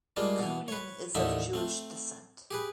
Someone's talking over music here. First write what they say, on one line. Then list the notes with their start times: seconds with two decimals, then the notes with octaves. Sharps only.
Koonin is of Jewish descent.
0.16 G3 G#3 A#3 D4 F4
0.39 B2 E3
0.68 B4 C#5
1.15 A1 D#2 D3 A3 D#4 E5
1.53 A3 C4
2.51 G4 G#4 B4